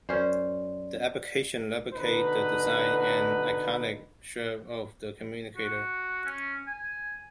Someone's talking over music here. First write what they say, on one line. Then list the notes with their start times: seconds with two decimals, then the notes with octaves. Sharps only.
The application replicated the design and iconic chirp of the communicator.
0.09 F#2 C#4 C5 D5
1.95 B2 D3 D#4 B4
5.56 F#4
6.25 C#4
6.67 G#5